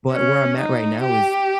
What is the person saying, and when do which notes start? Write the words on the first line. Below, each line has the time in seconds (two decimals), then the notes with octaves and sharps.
But where I'm at right now is
0.11 C#4
0.57 D#4
1.02 G4